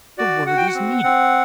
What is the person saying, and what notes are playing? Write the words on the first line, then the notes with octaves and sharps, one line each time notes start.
The word is needed.
F#4 D5
F#4 F#5
G5
F#5
C4
C4